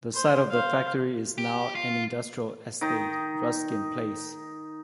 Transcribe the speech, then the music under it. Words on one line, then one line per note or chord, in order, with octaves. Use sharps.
The site of the factory is now an industrial estate, "Ruskin Place".
C5
C5 F5
G4
F4
D#3 D#4